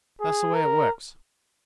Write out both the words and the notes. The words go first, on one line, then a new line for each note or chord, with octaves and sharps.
That's the way it works.
G#4
A#4